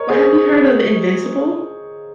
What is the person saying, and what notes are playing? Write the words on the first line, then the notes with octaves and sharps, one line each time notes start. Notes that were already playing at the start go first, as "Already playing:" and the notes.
Well, have you heard of Invincible?
Already playing: A#4 C#5 D#5
G#4 C5